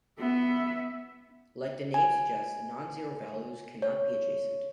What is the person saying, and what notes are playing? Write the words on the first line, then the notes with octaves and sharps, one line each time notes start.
Like the name suggests, non-zero values cannot be adjacent.
B3 E5
G#5
C#5